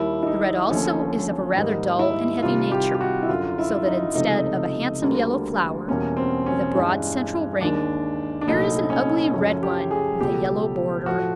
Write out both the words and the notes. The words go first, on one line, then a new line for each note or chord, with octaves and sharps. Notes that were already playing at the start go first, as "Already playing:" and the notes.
The red also is of a rather dull and heavy nature, so that instead of a handsome yellow flower with a broad central ring, here is an ugly red one with a yellow border.
Already playing: D#2 D#3 G3 A#3 E4
E4
D#4
D#2 D3 F3 A3 C#4
G#2 D#3 G3 A#3 D#4
E4
C2 C3 D#3 G3 F4
G4
G4
F#4
E4
F#2 D3 F#3 F4
E4
D#4
C#2 C3 F3 A3 D#4
D2 D3 G3 A#3
E2 B2 G3 A#3 C#4
C4
C#4
G2 E3 G#3
D#2 D#3 G#3 D4
D4
C2 A#2 F#3 A3 D#4
C#4
F#2 C#3 F3 A3 C#4
G4
G#4
C#2 B2 F#3 A3 G4
A2 F3 A3 F#4